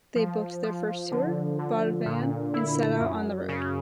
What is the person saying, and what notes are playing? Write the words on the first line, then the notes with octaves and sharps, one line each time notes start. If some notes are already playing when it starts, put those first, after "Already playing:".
They booked their first tour, bought a van, and set out on the road.
F3
F3
D3
D3
A#2
E4
F#2
C#3